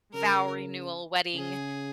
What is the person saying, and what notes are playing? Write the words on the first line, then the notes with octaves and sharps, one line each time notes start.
vow renewal wedding,
C#3 A#4
C#3 G#4